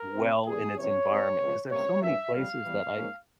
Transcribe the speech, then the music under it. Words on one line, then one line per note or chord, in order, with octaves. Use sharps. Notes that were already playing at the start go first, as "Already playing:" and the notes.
well in its environment 'cause there are so many places that I
Already playing: A#4
C3 F3 C4
E2 E3 G3 G#4
F2 C3 E3 G3 C#4 C#5
G#2 G3 C4
C#2 C3 F3
C#2 C3 G3 A#3 C#5
G2 E3 A#3 C#4 E5
F2 C#3 G3 F5
E2 E3 G3
G#2 F3 A#3 C#4